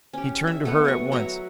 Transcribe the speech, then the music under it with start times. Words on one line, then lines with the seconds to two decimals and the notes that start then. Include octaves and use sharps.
He turned to her at once.
0.13 C#4 G4
0.47 E5
0.65 A3 B3 F#5
0.85 F#3 C#6
1.12 F#3 E5 F#5 A#5